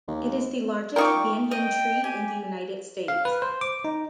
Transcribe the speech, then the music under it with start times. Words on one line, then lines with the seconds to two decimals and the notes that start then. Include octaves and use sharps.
It is the largest Banyan Tree in the United States.
0.08 D#2
0.96 D#4 F4 A#4 G5 C#6 D6
1.51 D#5 G5
2.04 G4 G#5
3.08 F5
3.25 B4
3.42 C5
3.61 D6
3.84 D#4